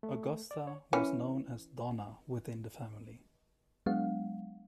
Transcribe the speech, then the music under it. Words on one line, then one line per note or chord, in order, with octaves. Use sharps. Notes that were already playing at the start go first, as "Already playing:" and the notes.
Augusta was known as "Dona" within the family.
A3
D5
C#5
E3 C#4
F#3 G#3 B3 D4 F5 F#5